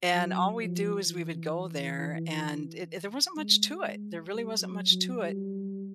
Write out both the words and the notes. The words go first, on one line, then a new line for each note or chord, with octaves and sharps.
and all we do is we would go there and it there wasn't much to it there really wasn't much to it,
F#3
F3
E3
G#3
G#3
G3
F#3
F#3
G3